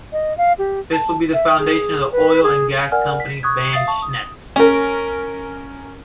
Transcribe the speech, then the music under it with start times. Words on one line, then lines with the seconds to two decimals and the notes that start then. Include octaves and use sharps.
This would be the foundation of the oil and gas company Bashneft.
0.12 D#5
0.38 F5
0.59 G4
0.93 A5
1.33 E5
1.59 G#4
2.12 B4
2.43 G#4
2.92 A#4 D5 F#5 G#5 F6
3.20 B6
3.43 C#6 D#6 F#6 G#6
3.72 E5 F5 D#6 A6 C7
3.88 A5 C#6
4.02 D#6
4.56 C#4 A#4